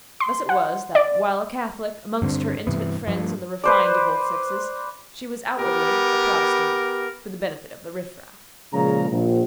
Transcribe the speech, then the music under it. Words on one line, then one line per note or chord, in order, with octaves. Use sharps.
Thus it was that while a Catholic amongst her intimate friends and the refined of both sexes, she was outwardly a Protestant for the benefit of the riffraff.
C6
F#5
D5
G2 D3 C4
G2 C3 E3 B3
G2 F3
B4 C5 D5
B3 G4 A#4
A#2 C#3 F3 G#3 A#5
A#1